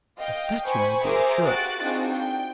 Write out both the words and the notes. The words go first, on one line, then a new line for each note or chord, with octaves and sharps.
Of that you may be assured.
D#5 F5 G5
C5 G#5 B5 C#6
G#4 A#4 C5 E5 A#5 D6
F#4 G4 F5 F#6 A6 D7
C4 D4 D#4 F4 F#4 G#4
G5